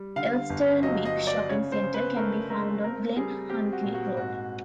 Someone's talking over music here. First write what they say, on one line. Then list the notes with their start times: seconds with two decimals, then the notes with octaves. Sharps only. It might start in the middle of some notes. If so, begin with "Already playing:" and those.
Elsternwick shopping centre can be found on Glen Huntly Road.
Already playing: G3
0.16 D3 F5
0.50 G1
0.83 F#3 D#5
1.05 D#5
1.17 F#3
1.27 D5
1.49 C#3 C#5
1.72 C5
1.83 C#3
1.94 B4
2.16 A3 A#4
2.50 A3 A#4
2.83 C4 A#4
3.16 G3 G#4
3.50 C4 G4
3.72 F#4
3.84 A#2
3.94 F#4
4.16 G#2 F#4